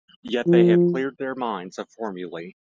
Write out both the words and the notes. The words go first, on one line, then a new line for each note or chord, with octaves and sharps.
Yet they had cleared their minds of formulae!
F3